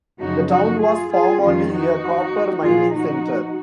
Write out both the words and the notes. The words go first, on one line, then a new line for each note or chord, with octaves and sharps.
The town was formerly a copper-mining center.
F#2 C#3 F3 D#4 F#4
D#4 F#4
F4 G#4
F4 G#4
F2 D#3 C#4 F4
D#4 F#4
A#2 F3 F4 G#4
D#4 F#4